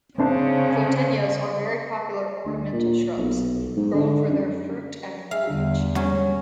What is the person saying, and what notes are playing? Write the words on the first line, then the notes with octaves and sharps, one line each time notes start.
Photinias are very popular ornamental shrubs, grown for their fruit and foliage.
C#3 C4 D4 C5
D2
A#2
B1
G#2
D3
F#2
E5 F5
E2 D3 G3 D4
F#3 G3 C#4